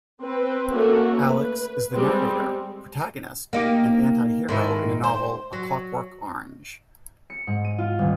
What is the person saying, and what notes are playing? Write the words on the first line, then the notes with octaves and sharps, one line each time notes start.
Alex is the narrator, protagonist and antihero in the novel "A Clockwork Orange".
C4 B4
A3 A#3 C#4 F#4
B4
G3 G#3 C4
A#3 D#4 G4
G#2 D#3 E4
C5
F#3
C#7
G#2
D#7
F4
D#1